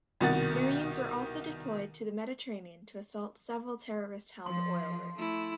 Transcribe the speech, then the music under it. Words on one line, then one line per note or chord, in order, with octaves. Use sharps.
Marines were also deployed to the Mediterranean to assault several terrorist-held oil rigs.
C2 B2 D#3 F#5 A6
F3 C6
A3 E4